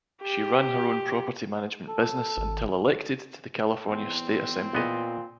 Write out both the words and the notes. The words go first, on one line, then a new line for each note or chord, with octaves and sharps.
She ran her own property management business until elected to the California State Assembly.
G4
A4
G#1
E2 C4
A#2 B3 D#5